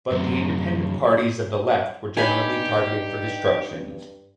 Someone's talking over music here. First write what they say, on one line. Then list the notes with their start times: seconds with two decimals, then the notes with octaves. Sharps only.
But the independent parties of the left were generally targeted for destruction.
0.11 F#2 C3
2.17 G2 D#4 G4 G#5 B5